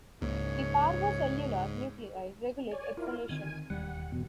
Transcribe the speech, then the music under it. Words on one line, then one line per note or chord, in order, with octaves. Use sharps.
The parvocellular nuclei regulate exhalation.
C#2 G#2 C#3 A#3 C#5
C#5 D5 G#5
E4 F4 A#4
D3 D#3 C4 G#5
E1 D#2 G3 F#5
D1 E2 B2